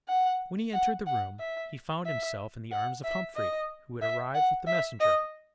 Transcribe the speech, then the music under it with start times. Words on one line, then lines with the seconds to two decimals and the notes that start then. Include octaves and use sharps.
When he entered the room, he found himself in the arms of Humphrey, who had arrived with the messenger.
0.09 F#5
0.73 F#5
1.07 F#5
1.40 E5
2.05 E5
2.71 F#5
3.04 E5
3.36 D#5
4.02 E5
4.35 F#5
4.67 E5
5.00 D#5